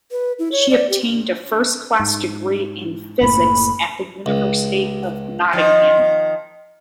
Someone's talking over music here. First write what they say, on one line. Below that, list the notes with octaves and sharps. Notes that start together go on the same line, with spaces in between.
She obtained a first class degree in Physics at the University of Nottingham.
B4
E4
C#5
D5
G4
G#2
F#1 A2 A#3 B5
C#2
D#3 F3